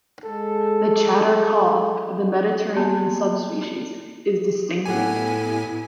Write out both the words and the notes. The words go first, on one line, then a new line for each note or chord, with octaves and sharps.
The chatter-call of the Mediterranean subspecies is distinctive.
G#3 A4
A#3 B3
A2 B3 E4 G4 A4 F#5 G#5